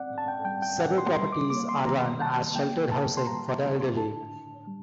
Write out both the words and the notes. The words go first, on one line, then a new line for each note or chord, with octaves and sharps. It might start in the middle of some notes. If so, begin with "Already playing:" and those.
Several properties are run as sheltered housing for the elderly.
Already playing: C4 D5 F#5
A2
A5
G5
G3 G5
G5
A2 F#5
C6
G3 C6
D6
A#3 D6
C6
D#3 A#5
C3 A5
A#3 G5
D3 A5
C6
G3 A#5
D3
D4 A5
A2
G3